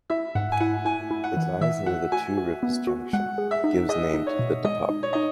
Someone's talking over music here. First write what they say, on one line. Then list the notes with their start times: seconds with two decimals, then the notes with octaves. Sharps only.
It lies near the two rivers junction that gives name to the department.
0.10 E4 E5
0.35 G#2 F#5
0.52 G#5
0.60 E4 F#5
0.85 E4 G#5
1.11 E4
1.24 F#5
1.37 E3
1.61 E3 E5
1.86 F#4 F#5
2.12 F#4 G#5
2.38 F#4
2.63 B3
2.87 F#4
3.13 G#3 F#5
3.38 G#4
3.51 E5
3.64 D#4
3.89 G#4 D#5
4.14 D#4
4.27 C#5
4.39 B2
4.65 G#3 D#5
4.90 D#4
5.03 C#5
5.13 D#4 D#5